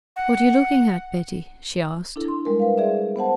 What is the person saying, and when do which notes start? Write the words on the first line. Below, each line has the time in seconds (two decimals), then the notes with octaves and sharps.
"What are you looking at, Betty?" she asked.
0.16 F#5
2.16 D4 E4 A4
2.28 C6
2.45 G3 G#3 A#4
2.60 B4 F5
2.78 G#4 D5 E5
3.16 B3 C5 F#5 A5